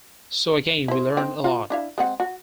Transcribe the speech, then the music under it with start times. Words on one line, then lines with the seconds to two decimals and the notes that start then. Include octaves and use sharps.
So again, we learned a lot.
0.88 E4 C5
1.17 C4 D#4
1.44 F4 F#4
1.70 D4 E4 F5
1.98 G#3 C4 F#5
2.20 F#4